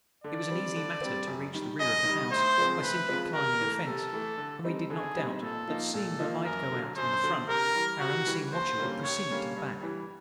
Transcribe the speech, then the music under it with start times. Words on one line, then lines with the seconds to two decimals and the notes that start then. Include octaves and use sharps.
It was an easy matter to reach the rear of the house, by simply climbing a fence, and we did not doubt that seeing the light go out in the front, our unseen watcher would proceed to the back.
0.24 D3 D5
0.50 G3 C4
0.76 D3
1.01 G3 C4
1.27 F#2
1.53 D#3 G3
1.80 F#2 D#5
2.05 D#3 G3
2.32 D2 C5
2.57 C#3 F3 G#3 C4
2.83 D2 B4
3.09 C#3 F3 G#3 C4
3.35 C3 A#4
3.61 E3 A3
3.87 C3 A4
4.12 E3 A3
4.38 D3
4.64 G3 C4 D#4
4.90 D3 G#4
5.15 G3 C4 D#4
5.41 A#2 A4
5.68 F3 A#3 D#4
5.93 A#2 A4
6.19 F3 A#3 D#4
6.45 F#2 A#4
6.72 D3 F#3
6.97 F#2 C5
7.23 D3 F#3
7.49 C3 A#4
7.74 E3 G3
8.00 C3 F#4
8.27 E3 G3
8.52 D#2 C5
8.78 D3 G3 A#3 C#4
9.04 D#2 C#5
9.30 D3 G3 A#3 C#4
9.56 G2
9.81 E3 G3